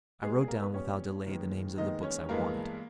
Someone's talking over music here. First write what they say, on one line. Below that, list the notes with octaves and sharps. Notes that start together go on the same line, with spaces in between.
I wrote down without delay the names of the books I wanted.
A#2 G3 G#3 B3 G#4
G#4
A#3 A#4
B3 B4
A#2 G3 B3 C#4 C#5
D#2 D#3 G#3 B3
D#2 D#3 G#3 B3 D#4 D#5
C#4 C#5
G2 E3 G#3 A#3 B3 A#4